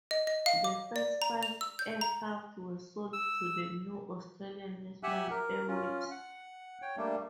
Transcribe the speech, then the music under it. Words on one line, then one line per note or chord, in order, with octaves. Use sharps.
The first five aircraft were sold to the new Australian National Airways.
D#5
D#5
F5
D6
D5
A#5
F7
E6
G6
A#5
E6
G4 E5 F#5 G#5 E6 F#6
A#4
C#4 F4
F#5
C#5 G5
G3 A3 A#3 D4